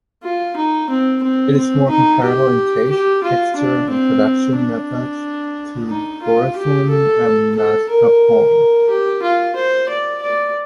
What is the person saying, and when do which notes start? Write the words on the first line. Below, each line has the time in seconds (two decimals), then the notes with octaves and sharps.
It is more comparable in taste, texture, and production methods to Boursin and Mascarpone.
0.23 F4
0.57 D#4
0.90 C4
1.23 C4
1.56 C4
1.90 D#4
2.23 G4
2.90 G4
3.23 F4
3.56 D4
3.89 C4
4.56 D4
5.89 D#4
6.23 F4
6.56 G4
6.89 A4
7.56 A4
7.89 A#4
8.89 G4
9.22 F4
9.56 C5
9.89 D5
10.23 D5